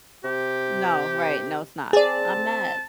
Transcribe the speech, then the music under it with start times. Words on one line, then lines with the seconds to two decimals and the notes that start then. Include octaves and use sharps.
No, right, no, it's not. I'm mad,
0.24 C3 G4
1.93 C4 G#4 D5 A5